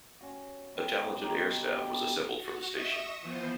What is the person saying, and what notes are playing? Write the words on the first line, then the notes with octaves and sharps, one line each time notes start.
A talented air staff was assembled for the station.
C#4 F#4
B2 G5
D#3 G3 D4
B2 D4 G4 F5
F#4
D#5 E5 C#6 D#6 E6
E3 F3 B3 C5